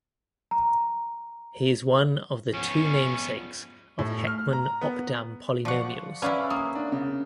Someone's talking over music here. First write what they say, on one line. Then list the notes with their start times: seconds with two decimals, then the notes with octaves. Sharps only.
He is one of the two namesakes of Heckman–Opdam polynomials.
0.51 A#5
2.54 F3 B3 C#4
3.99 A2
4.27 F6
4.53 A#5
4.81 B3
5.65 F3 D5 F#5 C#6
6.22 C#4 E4 B4 D5 F5
6.50 A#3 D#6
6.75 D4
6.92 C#3